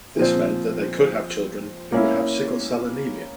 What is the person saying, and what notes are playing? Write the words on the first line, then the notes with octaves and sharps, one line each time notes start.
This meant that they could have children who would have sickle cell anemia.
A#2 F3 C4
A#3 C#4 E4